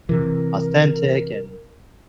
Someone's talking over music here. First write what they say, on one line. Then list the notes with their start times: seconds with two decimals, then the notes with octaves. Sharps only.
authentic and
0.09 C3 E3 A#4